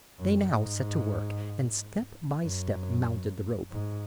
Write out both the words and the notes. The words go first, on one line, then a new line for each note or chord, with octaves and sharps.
They now set to work, and step by step mounted the rope.
F#2
G#2
F#2
G#2